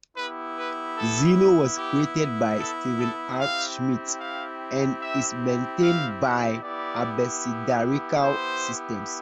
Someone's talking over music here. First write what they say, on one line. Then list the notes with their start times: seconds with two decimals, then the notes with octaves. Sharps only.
Zeno was created by Stephen R. Schmitt and is maintained by Abecedarical Systems.
0.16 B3 E4 G4 B4
0.57 B4
0.96 A4
1.77 G4
2.58 A4
2.99 A4
3.39 C4 E4 G4 F5
4.20 F5
5.00 E5
5.81 F5
6.61 B3 E4 G4 D5
8.23 C5